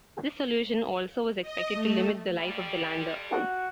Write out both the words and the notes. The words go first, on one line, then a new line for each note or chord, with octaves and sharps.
This solution also was expected to limit the life of the lander.
D#5
A3
F2 G3
F#4